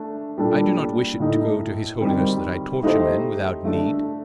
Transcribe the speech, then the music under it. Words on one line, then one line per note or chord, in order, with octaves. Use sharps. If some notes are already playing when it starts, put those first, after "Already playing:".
I do not wish it to go to his holiness that I torture men without need.
Already playing: A3 D4
A#2 G3 D4 A4 D5
A2 A3 D#4
D#3 G3 C4
A3 D#4 G4 C5
A3 D4 A4